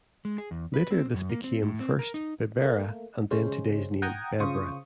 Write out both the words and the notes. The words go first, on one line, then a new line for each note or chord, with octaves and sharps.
Later this became first "Bibera", and then today's name Bebra.
G#3
G#4
E2
B4
C4
F#2
A#3
C4
A2
C4
A#4
D#4
A3 A#3
C#3 G#3 C#4 C5
F#5 G5 A#5 D#6 G#6
C#3 F4 C5 C#6 D#6